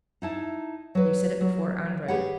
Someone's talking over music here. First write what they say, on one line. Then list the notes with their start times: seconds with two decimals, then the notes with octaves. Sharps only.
You said it before Andrey.
0.22 D#4 E4 A5
0.95 F#3 B4
1.41 F#3
2.08 G4 G#4 B4 C#5 F#5